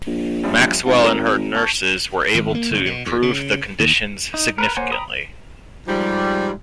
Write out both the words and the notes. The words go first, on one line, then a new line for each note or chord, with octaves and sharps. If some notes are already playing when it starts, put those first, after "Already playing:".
Maxwell and her nurses were able to improve the conditions significantly.
A#1
F#2 F3 G3
G#1 C4 F4
A#4
A5 C#6 G6
G#1
A#3
F#1
B2
E2
C#3
D#2
D#4
A#4 B4 A#5
A#3 C5 C#5 F#5 G#5
G5 A#5 B5 D#6
G#2 F3 G3